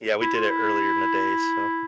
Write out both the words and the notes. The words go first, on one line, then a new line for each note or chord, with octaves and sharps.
Yeah, we did it earlier in the day, so.
E4
F4
E4